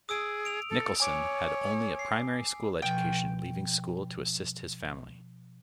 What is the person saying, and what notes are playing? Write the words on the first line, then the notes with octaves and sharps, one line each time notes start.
Nicholson had only a primary school education leaving school to assist his family.
G#4 D#6 E6 D7
D7 F7
A4
C#5 G#5 D6 D7
C7
B2 F3 G5